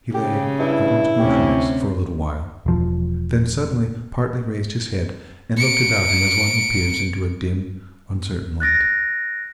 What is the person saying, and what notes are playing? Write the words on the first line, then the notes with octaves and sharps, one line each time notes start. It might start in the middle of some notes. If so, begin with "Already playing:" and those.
He lay almost motionless for a little while, then suddenly partly raised his head and looked about him as one who peers into a dim uncertain light.
C#3 G4
G2 E4
D2 C3 C#4 G4
E1 F3
C#7 D7
F#6 A6 A#6 D7